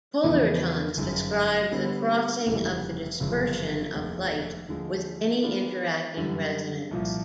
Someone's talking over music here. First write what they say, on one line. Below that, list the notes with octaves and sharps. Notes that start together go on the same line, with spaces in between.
Polaritons describe the crossing of the dispersion of light with any interacting resonance.
E2 C#3 F3 G#3 B3
G1 F#2 D#3 G#3
D3 G3 B3
F1 D#2 C#3 E3 G3
G1 F#2 C#3 F3 G#3
F1 D#2 D#3 G#3 C4
D#2 D3 F3 G#3
D#3 G#3 B3 D4 F4
F#2 D3 G3
C2 A#2 F3